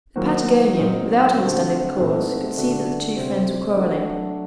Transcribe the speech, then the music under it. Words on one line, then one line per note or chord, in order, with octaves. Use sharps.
The Patagonian, without understanding the cause, could see that the two friends were quarreling.
D#3 F#3 A#3 F#4 C5
A#2 F#3 C4 D#4
D3 A3 C4 F#4 C5
A#2 A3 C4 D#4 F#4
D3 A3 D4 F#4
C3 G3 C4
F#3 A3 D4 F#4